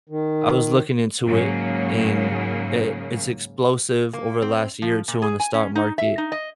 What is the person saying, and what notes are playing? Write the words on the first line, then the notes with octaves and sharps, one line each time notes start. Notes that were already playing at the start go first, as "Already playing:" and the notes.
I was looking into it, and, it it's explosive over the last year or two in the stock market.
D#3
G#2 C#3 F#3 A#3
A#3
C4
F3
A#2
G#4
G#5
C#4
D#4
E5
D#4
D#5